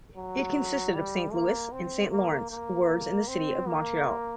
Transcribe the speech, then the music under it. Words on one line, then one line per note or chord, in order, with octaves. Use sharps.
It consisted of Saint Louis and Saint Lawrence wards in the city of Montreal.
F#3
G3
A#3
C4
A#3
A#3
C4
A#3